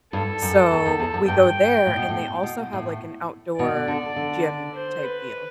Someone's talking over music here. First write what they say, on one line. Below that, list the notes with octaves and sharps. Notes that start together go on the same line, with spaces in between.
So, we go there, and they also have, like, an outdoor gym-type deal.
G2 A4
F#2
E2
E2
E2
F#2
G2 G5
A2
B2
A2
B2
A2
B2 D5
D3
D3
C5
B4